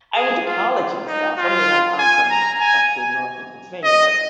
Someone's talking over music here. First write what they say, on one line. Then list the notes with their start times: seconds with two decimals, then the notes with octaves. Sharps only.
I went to college in the South. I mean, I'm I'm from n up here North in Pennsylvania, but,
0.16 G#4
0.46 F4
1.08 D#4
1.38 F4
1.99 G#5
2.31 A#5
2.60 G#5
2.92 G#5
3.84 D#5